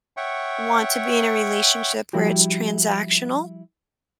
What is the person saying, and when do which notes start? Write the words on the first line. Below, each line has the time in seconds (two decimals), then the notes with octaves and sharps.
want to be in a relationship where it's transactional.
0.17 C#5 E5 F#5 G5 C#6
2.13 F3 G3 E4 F#4 G4